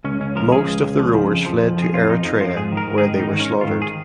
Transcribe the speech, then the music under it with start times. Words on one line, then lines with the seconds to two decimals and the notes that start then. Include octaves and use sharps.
Most of the rowers fled to Eretria where they were slaughtered.
0.04 C#2 C#4
0.20 C#2 C#4
0.36 F3 A#4
0.52 C#3 G#4
0.67 C#2
0.83 C#2
0.99 F3
1.15 C#3
1.30 F2
1.46 F3
1.62 F2
1.77 F3
1.82 G#4
1.93 F2 F4
2.09 F3 D#4
2.24 F2 D#4
2.41 F3 F4
2.56 G#2 G#4
2.72 D#3
2.77 A#4
2.88 G#2
2.98 G#4
3.03 D#3
3.19 G#2 D#4
3.35 D#3
3.40 C#4
3.51 G#2
3.61 F4
3.67 D#3
3.82 G#4